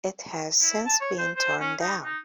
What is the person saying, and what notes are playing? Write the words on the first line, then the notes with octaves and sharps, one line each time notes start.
It has since been torn down.
E4
A5
C#5
C5
C5
C#4
D#4
D#4